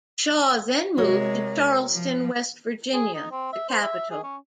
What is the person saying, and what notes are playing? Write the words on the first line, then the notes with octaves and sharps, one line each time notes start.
Shaw then moved to Charleston, West Virginia, the capital.
C3 G#3 F#4 A#4 C#5
F3
G#4
D#4
C4
E5
C5
E5
G#4
C#4